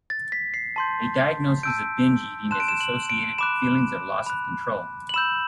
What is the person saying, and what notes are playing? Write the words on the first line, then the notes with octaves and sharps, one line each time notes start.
A diagnosis of binge eating is associated with feelings of loss of control.
A6
B6
C7
A5 C6 G6
A5 E6 G6 D7
A5 C6 F#6 E7
D7
E7
F#7
D7
B5 D6 F#6 E7
B5 F#6
F#7
B5 E6 G6 E7